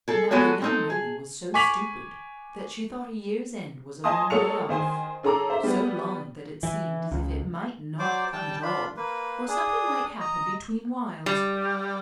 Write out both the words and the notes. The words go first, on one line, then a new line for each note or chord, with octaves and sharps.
Now the young lady was so stupid that she thought a year's end was a long way off--so long that it seemed as if it might not come at all, or something might happen between whiles.
G#4 A4
G#3 B3 F#4 A4 C#5
C4 D#4 A4
G#4
G#5 C#6 D6 B6 F7 F#7
D#5 G#5 A5 C6 D#6
G#3 A#3 A4 C#5 C#7 F7
D#3 C5 G#5 C6
C#4 G#4 A4 A#5 D6
C5 E5
G3 B3
E3
C#2
F#3 C5 D5 D6
G3 G5 A5
D4 F4 B5
A#3 B4
D4 G#4 D#6
D#5 A#5
G3